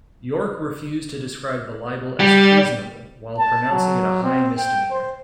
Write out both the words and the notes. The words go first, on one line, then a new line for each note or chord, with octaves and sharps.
Yorke refused to describe the libel as treasonable, while pronouncing it a high misdemeanour.
G3
A5
F#3
C4
G5
C5